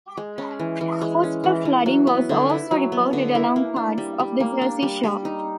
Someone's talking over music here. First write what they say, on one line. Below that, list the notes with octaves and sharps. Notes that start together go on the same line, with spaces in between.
Coastal flooding was also reported along parts of the Jersey Shore.
G#3
C#4
E3
E3
G#3
C#4
E3
E3
F#3
B3
D3
E4
F#3
B3
D3
E4
A#3
D4
G3
G3
A#3
D4
G3
G3
D#4